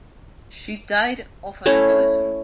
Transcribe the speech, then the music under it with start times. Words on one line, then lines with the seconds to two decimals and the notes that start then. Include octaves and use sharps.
She died of an embolism.
1.66 A3 C#4 E4 C#5